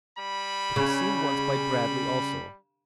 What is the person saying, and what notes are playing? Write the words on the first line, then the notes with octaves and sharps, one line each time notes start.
It was seen once by Bradley also.
G3 B5
C#3